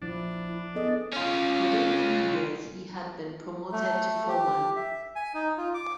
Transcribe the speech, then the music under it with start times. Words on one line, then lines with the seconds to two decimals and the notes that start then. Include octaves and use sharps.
Within three years he had been promoted to foreman.
0.02 A#1 F3 D4 E4
0.75 B3 G#4 A4 D#5
1.13 C#4 F4
3.72 A3
4.29 G4
4.76 E5
5.16 G#5
5.34 D#4
5.58 F4
5.74 D6